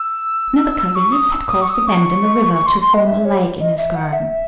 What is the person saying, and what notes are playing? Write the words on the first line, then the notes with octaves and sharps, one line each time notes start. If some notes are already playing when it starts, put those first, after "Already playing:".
Now the Caliph had caused a bend in the river to form a lake in his garden.
Already playing: E6
C#6
D#6
E6
D#6
C#6
E6
D#6
C#6
C#6
C6
C6
D#5
E5
C#5
D#5
E5
F#5
E5